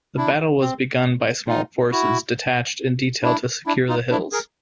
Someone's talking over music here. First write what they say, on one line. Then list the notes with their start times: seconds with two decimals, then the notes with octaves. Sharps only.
The battle was begun by small forces detached in detail to secure the hills.
0.17 D4 E4
0.61 C4
1.48 D#4 F4
1.92 E4 F#4
3.23 D4 E4
3.66 D4 E4
3.89 D#4 F4
4.10 D4 E4
4.32 G#4 A#4